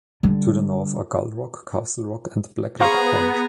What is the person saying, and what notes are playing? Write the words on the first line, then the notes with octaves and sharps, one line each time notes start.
To the north are Gull Rock, Castle Rock, and Blacklock Point.
D3 G3
B3 G#4 C5 F5 A#5 C#6